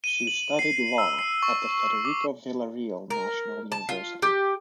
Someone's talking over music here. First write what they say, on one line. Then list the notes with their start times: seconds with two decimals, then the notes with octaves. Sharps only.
She studied Law at the Federico Villarreal National University.
0.04 D#7
0.27 F#7
0.59 C7
0.98 E6
1.19 C7
1.43 C#6
2.05 D6
3.10 A#4
3.72 A5
3.89 F4
4.22 G4